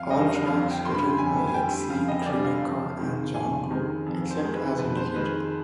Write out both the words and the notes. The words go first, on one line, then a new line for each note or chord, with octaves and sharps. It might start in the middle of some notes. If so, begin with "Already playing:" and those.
All tracks written by Exene Cervenka and John Doe except as indicated.
Already playing: F2 F5
D3 G3 D#5
D#5
F2 F5
G5
D3 G3 C6
B5
F2 G#5
G#5
D3 G3 G5
F2 F5
D#5
D3 G3 D5
F5
F2
D#3 G#3
F2 G#5
D#3 G#3
F2
C5
D#3 G#3
B4
F2 B4
C5
D#3 G#3 B4